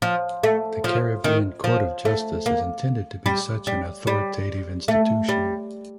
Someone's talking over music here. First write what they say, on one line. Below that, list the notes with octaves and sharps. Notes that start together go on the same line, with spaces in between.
The Caribbean Court of Justice is intended to be such an authoritative institution.
F3
A3
F3
D#3
F3
A3
A#3
G3
G3
G3
A3
G3